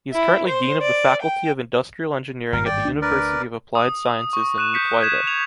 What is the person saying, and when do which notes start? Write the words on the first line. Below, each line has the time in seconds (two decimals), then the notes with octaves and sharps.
He is currently Dean of the Faculty of Industrial Engineering at the University of Applied Sciences in Mittweida.
0.12 E4
0.48 C5
0.82 D5
1.23 G5
2.52 G#1 G2 A#4
2.65 D5 G5
2.85 D2 D4
3.02 A#4 B4 D5
3.75 D#6
4.33 C#6
4.58 F#6 D#7 E7
4.74 G6 B6 C#7
5.01 G6 G#6 E7
5.27 F7